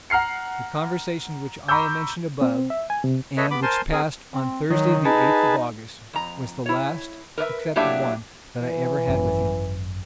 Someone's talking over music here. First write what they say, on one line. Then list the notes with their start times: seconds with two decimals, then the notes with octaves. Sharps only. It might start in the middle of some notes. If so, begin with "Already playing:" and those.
The conversation which I mentioned above, and which passed on Thursday the eighth of August, was the last, except one, that I ever had with him.
0.10 F#5 A#5 F6 C7 C#7
1.68 A#5 B5 C#6 D6 E6 G6
2.41 C4
2.70 E5
2.90 G#5
3.04 C3
3.37 A4 B4 C#5 D#5 E5
3.51 B3 B5 D6
3.62 A#4 C5 G#5 A5 C6
3.92 C4 G#4 A#4 G#5
4.33 C4
4.70 D#3 F#3
5.05 D#4 G#4 B4 A5
6.13 F2 A#5
6.66 E4 C#5
7.38 A#4 B4 D5 E5
7.76 A2 F#3 A#3 D4 G4 E5
8.60 E3
9.08 G#1 F#2 C#4